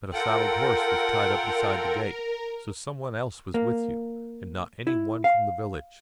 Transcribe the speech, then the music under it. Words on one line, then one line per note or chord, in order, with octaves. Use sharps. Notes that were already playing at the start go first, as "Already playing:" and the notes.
But a saddled horse was tied up beside the gate. So some one else was with you, and not any one from the village.
F4 A4 A#4 F#5 G5
A#3
E4
F5